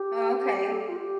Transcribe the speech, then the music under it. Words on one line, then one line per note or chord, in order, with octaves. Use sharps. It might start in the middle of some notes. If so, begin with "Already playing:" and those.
Oh, okay.
Already playing: G4
A4
G4
F4
G4